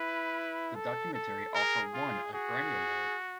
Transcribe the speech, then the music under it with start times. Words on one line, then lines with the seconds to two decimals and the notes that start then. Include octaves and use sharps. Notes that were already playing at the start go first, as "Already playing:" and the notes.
The documentary also won a Grammy Award.
Already playing: E4 B4
0.75 A4
1.14 A4
1.55 G#4 A#4
1.94 F4
2.34 F#4 G#4